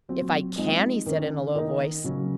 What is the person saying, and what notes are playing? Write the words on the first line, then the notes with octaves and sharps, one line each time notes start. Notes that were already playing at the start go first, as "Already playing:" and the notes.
"If I CAN!" he said, in a low voice.
A#2 F#3 C4
F3 G#3 C4 D#4
D#3 A#3 C#4
D#3 A#3 D#4
C#3 F#3 C#4